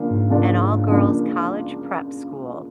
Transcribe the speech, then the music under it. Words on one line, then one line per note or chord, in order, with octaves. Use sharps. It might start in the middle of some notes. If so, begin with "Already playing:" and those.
an all-girls college prep school
Already playing: C#2 C#3 F3 A#3 D4
G#2
C#2 C#3 F3 A#3 D4
C#2 C#3 F3 A#3 D4